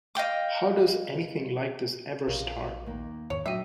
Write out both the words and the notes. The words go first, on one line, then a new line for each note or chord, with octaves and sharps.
How does anything like this ever start?
D#5 F5 G5 D6
A#1 F3 A#4 C#5
D#2 A#3
E2 G#2 D#3 C#5
A#2 F#3 D4 F#4 D#5 E5 F#5 G5